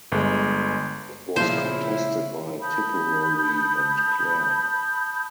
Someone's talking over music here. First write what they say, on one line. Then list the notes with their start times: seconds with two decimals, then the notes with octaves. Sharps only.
It was contested by Tipperary and Clare.
0.12 G1 G#3
1.36 A#2 C#3 F3 E4 C5
2.62 A5 B5 D#6 G6